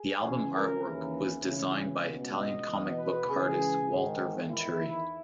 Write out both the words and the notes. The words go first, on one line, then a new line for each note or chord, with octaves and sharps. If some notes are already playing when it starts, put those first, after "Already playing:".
The album artwork was designed by Italian comic book artist Walter Venturi.
Already playing: G#4
C#2 C#3 E3
A#4
D#2 C#3 E3
C#2 C#3 E3
C#2 B2
D#5
E2 B2
B4
C#2 C#3 E3 G#4
G#2 D#3
E2 D#3 E4